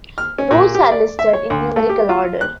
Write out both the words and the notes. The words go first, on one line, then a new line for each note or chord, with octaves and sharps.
Routes are listed in numerical order.
F6
C#4
A#2
G4
D5
E5
C#5
D2
A3
G4
F4
F#6